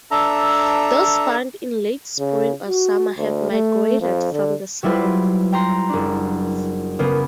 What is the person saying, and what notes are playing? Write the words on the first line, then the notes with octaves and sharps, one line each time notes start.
Those found in late spring or summer have migrated from the south.
D4 A4 E5 A#5
C#3
F#4
D2
A3
F2
D3
F#3 G3 E4 F4 B4 C5
G5 A#5 C6
F#1 D4
C#3 A#3 B3